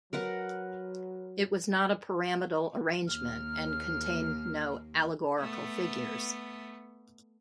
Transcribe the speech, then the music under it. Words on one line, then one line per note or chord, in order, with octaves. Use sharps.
It was not a pyramidal arrangement and contained no allegorical figures.
F#3 A#4 B4 F#5
D#2 A#3 F6
A3 B3